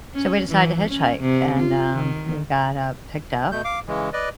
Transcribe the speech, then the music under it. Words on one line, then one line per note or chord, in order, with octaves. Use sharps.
So we decided to hitchhike, and, um, we got, uh, picked up,
C#4
E3
C#4
C3
F4
D#3
B2 A3 G6
F5 D6
C#3 E3 G#3
B4 D5 D#5